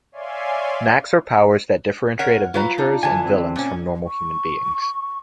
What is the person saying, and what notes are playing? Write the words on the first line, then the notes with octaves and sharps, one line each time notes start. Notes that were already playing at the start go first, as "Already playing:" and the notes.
Knacks are powers that differentiate adventurers and villains from normal human beings.
C#5 D5 E5 F5 G#5 C6
A#4 C#5 F#5
F#3 F4 B4 A#5
D4 D#4
D3 E3 G#5 A5
C4
A#2 C#4
C#6